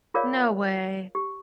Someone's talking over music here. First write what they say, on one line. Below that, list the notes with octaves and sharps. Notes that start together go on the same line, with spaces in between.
No way.
F4 G#4 A#4 C#5 D5 F5
G4